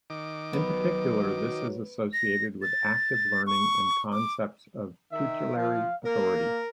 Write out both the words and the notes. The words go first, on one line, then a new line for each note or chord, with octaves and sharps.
In particular this is associated with active learning and concepts of tutelary authority.
D#3 D6
F#3 B3
A#6
A6
C#6
D6
D#3 E5
F3 F5
A#3 A#4